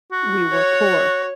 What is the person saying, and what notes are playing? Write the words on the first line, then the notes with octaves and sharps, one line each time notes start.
We were poor.
F#4
C#5